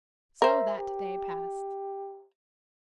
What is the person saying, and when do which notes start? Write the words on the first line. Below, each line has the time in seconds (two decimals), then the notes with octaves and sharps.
So that day passed.
0.42 A#4 C5 E5
0.79 G4